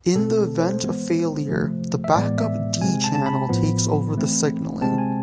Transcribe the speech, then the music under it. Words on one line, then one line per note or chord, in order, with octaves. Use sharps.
In the event of failure the backup D channel takes over the signaling.
B2 A3 C4 A4
C5
E3 G#3 B3
C3 F3 A3
E5
A2 E3 G#3 B3 D5
E5
C3 G#3 C4 G#5
A5
A5
B5
A2 F3 B3
E3 A3 C4
C3 G#3 C4 A5
G#5